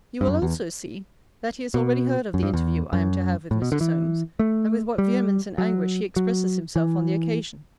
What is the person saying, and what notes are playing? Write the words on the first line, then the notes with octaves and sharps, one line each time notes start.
You will also see, 'that he has already heard of the interview I am to have with Mr. Solmes;' and with what vehemence and anguish he expresses himself on the occasion.
G2
F#2
E2
B2
F#2
G2
E2
F#2
A2
B2
D3
E3
A3
G3
F#3
F#3
E3